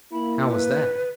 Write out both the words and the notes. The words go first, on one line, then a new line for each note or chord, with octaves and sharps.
"How was that?"
A#3 E4 B5
B4